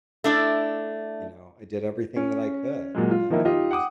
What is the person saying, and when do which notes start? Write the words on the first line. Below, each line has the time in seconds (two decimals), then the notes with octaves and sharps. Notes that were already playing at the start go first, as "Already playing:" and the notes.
you know, I did everything that I could, and
0.24 A3 D4 E4 D5
2.16 C#4
2.95 A#2 F#3 G#3
3.11 F4
3.30 D#3 F3 A#3 D#4 E4
3.45 D#4 F4 G4 D#5
3.71 F#5 G5 D6 D#6